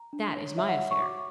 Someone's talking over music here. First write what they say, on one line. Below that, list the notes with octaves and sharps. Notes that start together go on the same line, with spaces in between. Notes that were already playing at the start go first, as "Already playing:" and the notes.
'That is my affair.
Already playing: A#5
D4
C#5
C#5 E5
F#5
C#5 F#5
C#6
F#4 D6